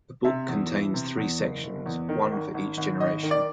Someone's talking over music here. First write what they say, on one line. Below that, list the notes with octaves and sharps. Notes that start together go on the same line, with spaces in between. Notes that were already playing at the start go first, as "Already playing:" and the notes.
The book contains three sections, one for each generation.
C3 E5
E2
E3
C3
E2
F#1
F#1
E2
D#3
G#1
G#1
G#1
G#1 D#5
D#3
D5